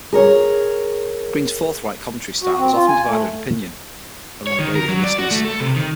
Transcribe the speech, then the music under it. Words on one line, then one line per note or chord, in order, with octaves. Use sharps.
Green's forthright commentary style has often divided opinion among radio listeners.
G#4 A#4 C#5
F#4
C4
F4
G#5
A3
C#5
D#3
A#4
F#3
D5
F#4
A3
A4
C3
D#3